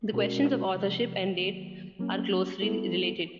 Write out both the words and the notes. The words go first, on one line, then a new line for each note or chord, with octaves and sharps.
The questions of authorship and date are closely related.
B2 G#3 C#4 F#4 A#4
C3 F3 G#3
D#3 F#3 A#3
F#3 A#3 C#4
G3 B3 E4 A4